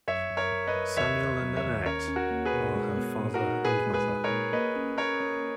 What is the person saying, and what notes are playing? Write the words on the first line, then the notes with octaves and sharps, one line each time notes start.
Samuel and Annette are her father and mother.
F#2 C#5 E5
F#2
A#4 C#5
F#2
B4 D#5
F#2
D#2 C#5 E5
D#2
F#3
C#5 E5
D#2
C#4 A#4 C#5
C#4
F#4 A#4
A#3
G#4 B4
B2
G#3
B3
A#2
F#4 A#4
D#4
A#2 G#4 B4
G#3
G#4 B4
G#3
A#4 C#5
A#2
A#3 B4 D#5
C#4
C#4 A#4 C#5
C#4